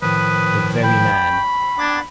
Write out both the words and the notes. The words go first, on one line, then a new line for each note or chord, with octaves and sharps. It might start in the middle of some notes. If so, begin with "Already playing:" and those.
The very man.
A2 D#3 F3 B4 D#6
G5 B5
D4 D6 G#6 A6